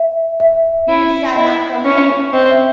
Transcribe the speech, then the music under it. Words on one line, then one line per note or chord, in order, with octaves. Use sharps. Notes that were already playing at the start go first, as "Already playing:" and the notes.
You shall not come in.
Already playing: E5
E5
E4
E4 D#5
C#4
C4 D#5
E5